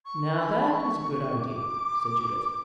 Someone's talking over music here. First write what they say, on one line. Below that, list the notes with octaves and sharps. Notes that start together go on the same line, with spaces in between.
"Now that is a good idea," said Judith.
C#6
B5
C#6
D6